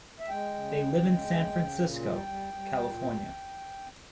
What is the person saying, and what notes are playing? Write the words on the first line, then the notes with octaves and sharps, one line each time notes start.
They live in San Francisco, California.
E5
G#3 G5
C#3
C#3
G#3
C#3
C#3
A#2
G3
G5
G3
G3
A#2
G3